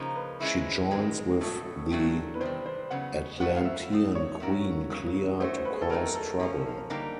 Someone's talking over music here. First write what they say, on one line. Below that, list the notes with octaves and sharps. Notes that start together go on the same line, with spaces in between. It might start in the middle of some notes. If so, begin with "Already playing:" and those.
She joins with the Atlantean Queen Clea to cause trouble.
Already playing: C#3 F3 A#3 D#4 C5
B4
G#3 C#4 E4
D#3 G#3 C4
B2 F#3 A3 A4
A#2 F#3 A3 D4 G4
B4
C3 D#3 G3 C5
C5
C#3 F#3 B3 F#5
F#3 A3 C#4 F#4 B4 F#5
F5
E5
G3 C4 D#4
C#5
A3 C#4 F#4 A#4
C#3 F#3 A#3
A3 C#4 F#4 C5
C5
B4
G#4
A4
F#3 A3 C4 D#4 A#4
A#4
A4
F3 A#3 C#4
D3 G3 A#3 D#4 G4